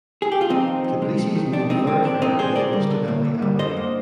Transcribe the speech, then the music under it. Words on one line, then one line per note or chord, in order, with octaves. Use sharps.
Tbilisi's main thoroughfare is Rustaveli Avenue.
G#4
G4
F4
F2 C4 D#4
D#3
F2
G#3
F2
D#3
F2 D4
G#3 C4 D#4
F2 C4
D#3 D4
F2 C4 D#4
G#3 G#4 C5
D3 A#4 D5
G3
D3
A#3
D3
G3
D3 C5 D#5
A#3